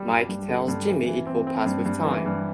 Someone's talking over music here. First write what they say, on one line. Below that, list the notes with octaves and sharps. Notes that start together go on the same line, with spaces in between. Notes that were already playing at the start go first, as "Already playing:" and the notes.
Mike tells Jimmy it will pass with time.
Already playing: G3
G2
G2
D3
G2
E3
E3
C4
C4
G2
G2
E3
G2